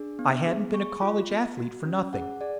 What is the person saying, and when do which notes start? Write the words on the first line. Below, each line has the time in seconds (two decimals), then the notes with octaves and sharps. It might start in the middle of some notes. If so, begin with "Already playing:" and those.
I hadn't been a college athlete for nothing.
Already playing: D4 G#4
0.19 B3
0.47 G#4
0.74 G#4 C#6
1.02 F4
1.30 B3
1.58 F#4
1.86 C#4
2.13 G#4 F#5
2.41 G#4 D5